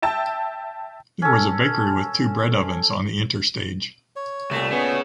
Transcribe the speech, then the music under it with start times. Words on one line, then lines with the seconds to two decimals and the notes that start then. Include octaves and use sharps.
There was a bakery with two bread ovens on the interstage.
0.02 E5 G5 A5 E6
1.22 C#4 A4
4.16 C#5
4.51 C2 A#2 A3
4.72 B3 C#4 G#4 C#5